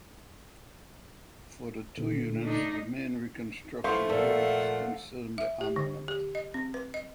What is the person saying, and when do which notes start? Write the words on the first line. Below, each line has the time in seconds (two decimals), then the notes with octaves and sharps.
For the two units the main reconstruction works concerned the armament.
1.98 A#2 D3
2.40 A3 D4 D#4
3.84 F3 A3 E4 B4 C5 F5 C#6
4.10 A#2 A4 F5 F#5
5.38 E5
5.61 G4
5.76 D3
6.08 G4
6.35 D#5
6.54 C4
6.74 B4
6.94 D#5